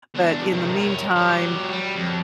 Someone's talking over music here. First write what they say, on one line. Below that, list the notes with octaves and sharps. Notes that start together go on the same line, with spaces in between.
but in the meantime,
E2 D4
C3 D#3
A#4 C#5
F#3 G4
G3
F2